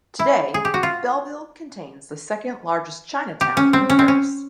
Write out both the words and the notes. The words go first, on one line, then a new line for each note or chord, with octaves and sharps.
Today, Belleville contains the second-largest Chinatown in Paris.
E4
G#4
G4
F#4
F4
G4
C#4
C4
C#4
C4
C#4